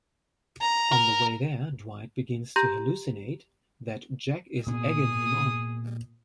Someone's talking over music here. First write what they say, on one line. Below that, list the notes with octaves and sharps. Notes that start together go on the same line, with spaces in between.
On the way there, Dwight begins to hallucinate that Jack is egging him on.
A#5
A#4
G4 A#5 C6 G6 A#6
A#2 B3 G#4 D#6